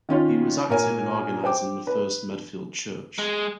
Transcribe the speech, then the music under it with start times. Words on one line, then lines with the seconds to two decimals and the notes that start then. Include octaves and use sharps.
He was active in organizing the first Medfield church.
0.09 D#3 C#4 F4 C#5
0.69 A#2 A#3 A#4 C#5 G#5
1.43 C5 G5 D6
1.87 B4
3.18 G#3